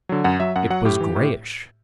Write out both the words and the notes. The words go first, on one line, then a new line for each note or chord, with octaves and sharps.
It was grayish.
D3 F#3
F#2 F#5
F#3 E5
F#2 F#5
F#3 F#5
A2 G4
E3
A2